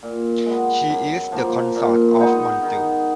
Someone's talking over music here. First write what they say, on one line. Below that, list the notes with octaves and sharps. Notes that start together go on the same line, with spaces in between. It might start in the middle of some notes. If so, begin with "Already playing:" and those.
She is the consort of Montu.
A#2
G#3 B3
F#2
F3 A#3
A#2
G#3 B3 D#4
D#3